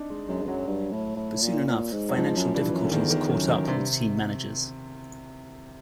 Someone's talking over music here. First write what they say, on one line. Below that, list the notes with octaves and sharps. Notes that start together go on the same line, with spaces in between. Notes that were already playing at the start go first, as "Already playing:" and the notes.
But soon enough financial difficulties caught up with team managers.
Already playing: C4 D4 D#4
G#3
F#2 G#3
G2
F#2 F#3
G2
A2
A2
A#2
A#2
G#2
F#3
G#2 F3
F#2
G2 E3
F#2
D3
E2 D#3
D#3
F#2 D#3
D#3
G2 C3